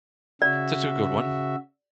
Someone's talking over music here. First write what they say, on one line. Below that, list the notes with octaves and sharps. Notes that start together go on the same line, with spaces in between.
That's a good one.
C#3 F#4 D5 E5